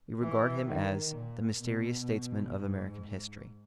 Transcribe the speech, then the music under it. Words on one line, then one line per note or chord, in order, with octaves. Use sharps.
We regard him as the MYSTERIOUS STATESMAN OF AMERICAN HISTORY.
E3
D#3
A#2
B2
G#2